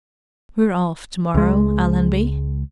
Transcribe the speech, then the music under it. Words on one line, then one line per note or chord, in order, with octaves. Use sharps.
"We're off to-morrow, Allenby."
C#2 G#3